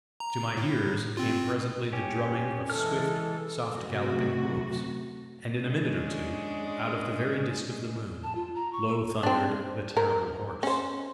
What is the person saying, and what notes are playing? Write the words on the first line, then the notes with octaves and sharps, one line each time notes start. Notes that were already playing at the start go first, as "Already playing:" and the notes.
To my ears came presently the drumming of swift, soft-galloping hoofs, and in a minute or two, out of the very disc of the moon, low-thundered the terrible horse.
A#5
A2
C4 F4
C#4 G4
E3 G#3 A4 F6
F#2 C3 A3 F#4
G#3 C#4 D4
A5
F4
A#5
C#6
A4
C4 D4
A#4
C#4 C5